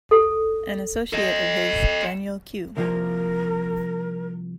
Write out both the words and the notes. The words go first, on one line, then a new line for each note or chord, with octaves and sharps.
An associate of his, Daniel Q.
A4
A4 D#5
C2 F3 A#3 A#4